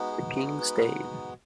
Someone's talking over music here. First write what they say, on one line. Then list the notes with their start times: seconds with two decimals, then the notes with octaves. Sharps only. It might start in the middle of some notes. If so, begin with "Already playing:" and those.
The King stayed.
Already playing: G#3 B3 D#4 F#4
0.12 G#4
0.36 G#4
0.60 B4